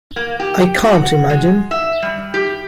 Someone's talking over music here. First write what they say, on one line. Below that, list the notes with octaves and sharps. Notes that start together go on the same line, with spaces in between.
I can't imagine.
A#3
G4
F#4
G#3
E5
G3
G4